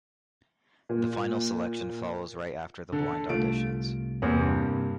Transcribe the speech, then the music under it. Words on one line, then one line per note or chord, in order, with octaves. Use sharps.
The Final selection follows right after the blind auditions.
A#2
D3 A4
C2 A3 F4 D7
E2 C3 A#3 E4
G2